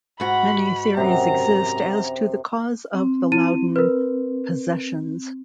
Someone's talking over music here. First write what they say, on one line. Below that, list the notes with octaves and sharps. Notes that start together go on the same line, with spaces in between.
Many theories exist as to the cause of the Loudun "possessions".
G#2 F#4 F#5 B5
F#2 C3 A#5
C4
E4 D#7
A#4 B4